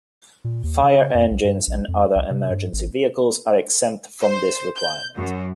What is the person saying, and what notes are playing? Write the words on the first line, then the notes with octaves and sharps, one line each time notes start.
Fire engines and other emergency vehicles are exempt from this requirement.
A#2
D#2
C#3
F2
B1
G2
A#1
F2
C2
C3
G2
G#1
C5
G6
F#2